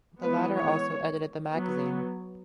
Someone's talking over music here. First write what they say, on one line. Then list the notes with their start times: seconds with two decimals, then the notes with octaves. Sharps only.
The latter also edited the magazine.
0.22 E3 G#3 B3 B4
0.55 C#5
1.52 F#3 B3